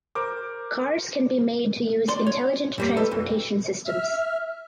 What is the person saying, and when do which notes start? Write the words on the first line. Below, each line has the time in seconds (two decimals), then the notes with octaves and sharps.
Cars can be made to use intelligent transportation systems.
0.15 A#4 C5 D6
2.08 D5 C6
2.27 C#5
2.78 F#2 G3 A#3
2.97 A4 B4 D#5
3.11 B1 F2
3.86 E5 F6